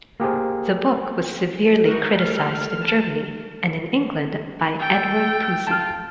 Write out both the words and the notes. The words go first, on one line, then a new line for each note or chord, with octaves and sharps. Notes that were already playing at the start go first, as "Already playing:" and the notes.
The book was severely criticized in Germany, and in England by Edward Pusey.
A#3 G4 G#4 C5
E3 D#4 F#4 A#4
G3 A3 A#4 F6
A5
A4 G5
F4 A5 F6